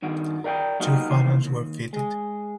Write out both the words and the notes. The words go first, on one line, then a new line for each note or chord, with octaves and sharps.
Two funnels were fitted.
G2 D#3 F#4
A#4 D5 F#5 G5
F#3 A#3 D#4 F#4 G4 A#4
D#2 E3 C5
D#2
G#3 G#4